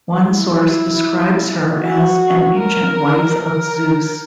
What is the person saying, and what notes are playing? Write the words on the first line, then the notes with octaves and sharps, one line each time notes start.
One source describes her as an ancient wife of Zeus.
E4
F#4
A#4
A#4